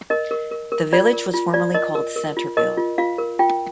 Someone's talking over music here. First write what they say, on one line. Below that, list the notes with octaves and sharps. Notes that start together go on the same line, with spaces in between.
The village was formerly called Centreville.
A#4 D#5
A#4
A#4
A#4
F4 D5
A#4
F4
F4 D5
A#4 D#5
A#4
A#4
F4
A#4 D#5
F4
F4 F5
A#4
F4 G5